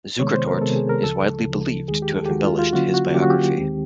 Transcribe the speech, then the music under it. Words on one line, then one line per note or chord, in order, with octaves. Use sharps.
Zukertort is widely believed to have embellished his biography.
C3 D#3 G#3 B3 C#5
C5
A#4
C3 D#3 G#3 B3 A4
G#4
A#4
D2 C#3 F3 A4
D2 C#3 F3
D#2 D#3 G#3 G#4
G4
A4
G4
D#2 D#3 G#3 F#4
F4
F4
D3 F#3 A#3 C#4 F4 F#4
F#4
D3 F#3 A#3 C#4 F4 G4
F#4
G4
D#2 D#3 G#3 C4